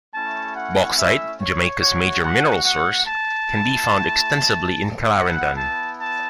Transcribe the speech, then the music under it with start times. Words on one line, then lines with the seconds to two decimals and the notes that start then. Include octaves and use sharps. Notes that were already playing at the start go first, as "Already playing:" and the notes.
Bauxite, Jamaica's major mineral source, can be found extensively in Clarendon.
0.14 A3 C#4 E4 A5
0.55 F#5
0.98 E5
1.39 C#5
1.81 A3 F#4 C#5
2.22 F#5
2.64 F#5
3.06 A5
3.48 A3 E4
5.15 B3 E4 F#5
5.57 A5
5.99 A5